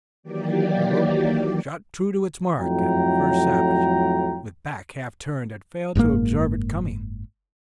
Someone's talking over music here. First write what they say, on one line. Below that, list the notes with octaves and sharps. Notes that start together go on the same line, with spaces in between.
The rope shot true to its mark and the first savage, with back half-turned, had failed to observe it coming.
D#3 E3 F#3 A#3 G4 D5
F2 A2 F#3 G5 A#5
F#1 G#2 B2 A#3